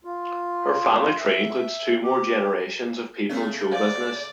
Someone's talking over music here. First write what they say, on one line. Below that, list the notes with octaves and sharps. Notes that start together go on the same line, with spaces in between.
Her family tree includes two more generations of people in show business.
F4
E5
G4
C#3 A3 A#3 C4 D4
G#4 C5 D5 F5